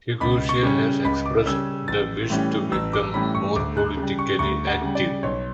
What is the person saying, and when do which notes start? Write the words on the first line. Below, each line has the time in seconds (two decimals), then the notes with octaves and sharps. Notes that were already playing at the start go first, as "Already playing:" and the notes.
Higuita has expressed the wish to become more politically active.
0.21 C#2 B5
0.49 C#6
0.63 C#3 G3 C#4
1.05 C#2 B5
1.26 D6
1.46 C#3 G3 C#4 E6
1.88 A1 A6
2.30 A2 E3 G3 C#4
2.72 A1 E6
2.93 D6
3.14 A2 E3 G3 C#4 B5
3.35 C#6
3.56 D2 D6
3.77 F#6
3.97 C#3 G3
4.19 C#6
4.39 D2 C#6
4.67 F#5
4.82 C#3 G3
4.95 D5
5.23 B1 C#5